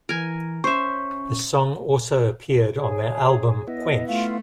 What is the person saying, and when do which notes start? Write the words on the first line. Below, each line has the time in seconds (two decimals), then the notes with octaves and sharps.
The song also appeared on their album "Quench".
0.09 E3 A#4 G#5
0.64 C#4 C5 E5 C#6
2.75 G#4 C#5
3.68 B3 E4 D#5
4.08 A3 F4 F5